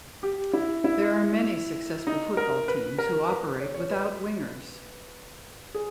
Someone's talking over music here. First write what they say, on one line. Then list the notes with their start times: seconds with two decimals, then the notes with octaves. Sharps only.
There are many successful football teams who operate without wingers.
0.23 G4
0.53 E4
0.84 E4
2.07 D#4
2.37 A#4
2.68 B4
2.98 A#4
3.29 B4
3.60 C#5
3.74 C#5
3.90 B4
5.75 G#4